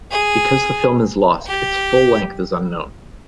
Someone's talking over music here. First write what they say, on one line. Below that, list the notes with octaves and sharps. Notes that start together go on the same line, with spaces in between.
Because the film is lost, its full length is unknown.
G#4
G4